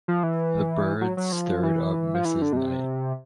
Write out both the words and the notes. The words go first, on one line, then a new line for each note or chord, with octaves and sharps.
The birds stirred up Mrs. Knight.
F3
E3
F#3
F#3
F3
E3
F3
E3
D3
B2
C3